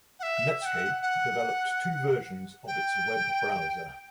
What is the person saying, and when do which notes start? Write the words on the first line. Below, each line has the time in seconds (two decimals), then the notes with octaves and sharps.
Netscape developed two versions of its web browser.
0.20 F#5
0.23 E5
0.61 G5
0.66 F#5
1.02 F#5
2.67 G5